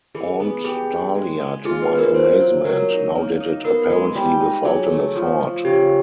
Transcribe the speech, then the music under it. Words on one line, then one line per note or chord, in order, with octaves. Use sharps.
Aunt Dahlia, to my amazement, now did it apparently without an effort.
E3 G#4
B3
G4 G#4
D4
G#3
G#3
F4 G#4
B4
C#4
A#4
A#3 C5
F#3
F#3 A#4
D#4
A#3
D#4
B3 A#4
G#3
G3
D#4
F#3 G#4
A3
F3
F3
C#3 G4